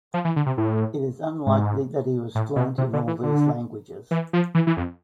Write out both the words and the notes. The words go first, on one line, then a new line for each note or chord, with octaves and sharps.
It is unlikely that he was fluent in all these languages.
F3
E3
D3
C3
A2
G#2
A2
B2
C3
D3
E3
D3
E3
F3
E3
E3
F2